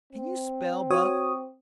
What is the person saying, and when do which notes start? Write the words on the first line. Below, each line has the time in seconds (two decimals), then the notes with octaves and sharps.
"Can you spell, Buck?"
0.13 C4
0.90 F#4 C#5 D#6